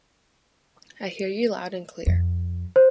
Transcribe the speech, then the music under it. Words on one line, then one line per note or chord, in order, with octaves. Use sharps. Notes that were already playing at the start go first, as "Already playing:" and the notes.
I hear you loud and clear.
F2
C5